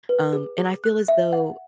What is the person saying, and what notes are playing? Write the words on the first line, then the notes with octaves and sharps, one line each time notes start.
um, and I feel as though
B4
G#4
G#4
F#6
E5
F#5